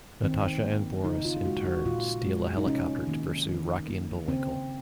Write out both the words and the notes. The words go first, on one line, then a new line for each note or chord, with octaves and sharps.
Natasha and Boris in turn steal a helicopter to pursue Rocky and Bullwinkle.
D#3 C4
A#3
C#3 D#4
F4
G#3 F#4
F#4
A#2 F4
G#3
D#4
C3 C#4
D#3 A#3
D#3
A#3
C#3 C4